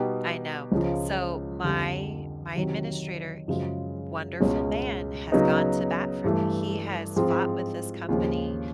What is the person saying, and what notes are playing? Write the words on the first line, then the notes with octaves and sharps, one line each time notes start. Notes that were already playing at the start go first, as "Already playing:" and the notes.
I know. So my my administrator, he wonderful man, has gone to bat for me. He has fought with this company
Already playing: B2 G3 B3 D#4 G4
C#2 C#3 F3
F2 D3 G3
C3 D#3 F#3
F#2 C#3 F3 G#3
C#2 B2 G#3 C#4
C#3 F#3 B3 D#4
G2 E3 A3
G#2 F3 G#3 C4
D#2 C#3 F3 G#3